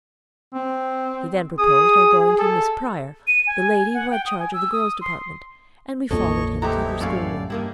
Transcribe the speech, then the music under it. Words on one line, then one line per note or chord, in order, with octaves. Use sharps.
He then proposed our going to Miss Prior, the lady who had charge of the girls' department, and we followed him to her school-room.
C4
G#4 D#6
A4
D#7
G#5
F#5
G5
D#6
G#5
E6
D#6
C6
A#1 F2 A#2 A4 C#5 D#5 C#6
E3 A3 C4 D#4 E4 G4 A#5
F#2 A2 E4 C#5 D5 F5
G2 D#3 A#3 E4